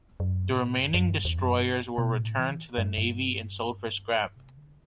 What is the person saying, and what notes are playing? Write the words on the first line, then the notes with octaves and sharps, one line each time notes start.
The remaining destroyers were returned to the Navy and sold for scrap.
F#2
A2
F#2
F#2
G2
E2
F#2
G2
B2
A2
E3
G2
G2
C3
D3